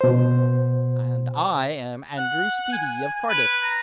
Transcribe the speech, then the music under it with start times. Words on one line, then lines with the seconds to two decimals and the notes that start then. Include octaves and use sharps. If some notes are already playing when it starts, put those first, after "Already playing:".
"And I am Andrew Speedy, of Cardiff."
0.01 B2 C5
2.18 F#5
2.73 G#5
3.30 B4
3.63 A#5